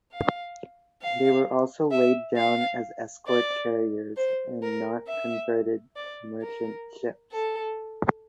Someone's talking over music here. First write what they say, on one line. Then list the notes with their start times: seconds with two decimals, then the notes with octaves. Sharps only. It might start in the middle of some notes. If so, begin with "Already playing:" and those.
They were also laid down as escort carriers and not converted merchant ships.
0.12 F5
1.02 F5
1.91 E5
2.36 F5
3.27 D5
4.17 C5
4.62 A#4
5.07 E5
5.96 D5
6.42 A#4
7.32 A4